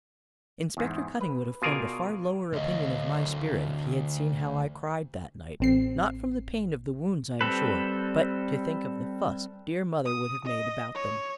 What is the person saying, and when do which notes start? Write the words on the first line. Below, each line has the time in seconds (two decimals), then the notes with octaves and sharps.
Inspector Cutting would have formed a far lower opinion of my spirit, if he had seen how I cried that night; not from the pain of the wounds, I am sure, but to think of the fuss dear mother would have made about them.
0.77 E2 G#2
1.21 B4
1.62 B2 F4 G#4 A#4 D5 G#5
2.53 D2 D#5
5.60 A1 C4 C7
7.41 G3 C4 A4 B4
10.06 D#6
10.45 D#5
10.95 C#5